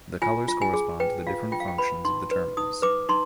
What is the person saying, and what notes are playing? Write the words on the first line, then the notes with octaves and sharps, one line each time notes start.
The colors correspond to the different functions of the terminals.
F4 G#5
F4
G#5
G#4
B4 G5
F4 F5
F4 G5
F5
G5
B4 B5
D#4 C6
B4
D#4 D#6
B4 D6
D#4 C6